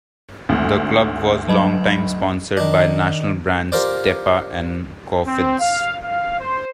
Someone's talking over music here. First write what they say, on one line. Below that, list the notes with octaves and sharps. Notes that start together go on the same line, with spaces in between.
The club was longtime sponsored by national brands Tepa and Cofidis.
G#1 D2
F#3 D#5 B5
D#3 D4
F4 G4 A#4 C5 D5
C4
F5
F5
C5